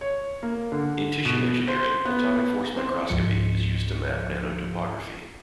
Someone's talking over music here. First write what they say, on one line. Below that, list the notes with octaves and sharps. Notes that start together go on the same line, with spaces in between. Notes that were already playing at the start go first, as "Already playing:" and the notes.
In tissue engineering, atomic force microscopy is used to map nanotopography.
C#5
A#3
D3
B2
C5
B3
C4
C#2 G#2 F3 C#7